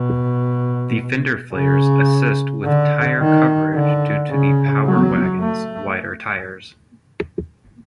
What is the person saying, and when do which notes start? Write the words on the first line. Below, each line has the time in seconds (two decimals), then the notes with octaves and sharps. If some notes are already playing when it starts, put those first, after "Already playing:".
The fender flares assist with tire coverage due to the Power Wagon's wider tires.
Already playing: B2
1.54 C#3
2.65 D3
3.20 D#3
3.75 D3
4.30 C#3
4.86 F#3
5.40 A3